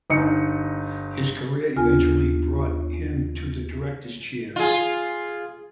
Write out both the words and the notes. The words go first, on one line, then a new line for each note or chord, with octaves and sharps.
His career eventually brought him to director's chair.
G1 D#4 C#7
D#2 B3 D4 F4 G#5
F4 G#4